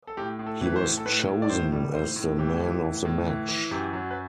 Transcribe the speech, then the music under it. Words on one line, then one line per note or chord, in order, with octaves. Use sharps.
He was chosen as the Man of the Match.
A4
A2 G4
A2
A4
E3 B4
C5
A2
A4
A2 B4
A2
D5
A2 C5
G3
A2 C5
A2
E3 G4
E3
A2
A2
E3
E3
F#2 G4
F#3
B4